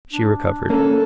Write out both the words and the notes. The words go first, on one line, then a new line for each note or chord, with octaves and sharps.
She recovered.
D4
A#3 C#4 A4